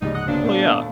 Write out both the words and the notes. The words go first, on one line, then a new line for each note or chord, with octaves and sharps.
Well, yeah.
D2 G#2 C#3 F3 G3 A#3 D#4
D#5 F#5
D1 A#2 F#3 B3 C4 D4
A3 B3
D#2